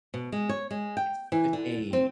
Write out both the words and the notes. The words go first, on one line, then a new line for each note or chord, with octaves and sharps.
it's such a
B2
G#3
C#5
G#3
G5
E3
D3
C4